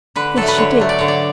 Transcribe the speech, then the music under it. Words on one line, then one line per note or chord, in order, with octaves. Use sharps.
"Yes, she did."
D3 B4
F#3 A3 A4
B4
D3 C#5
F#3 A3
D5
D3 C#5
D5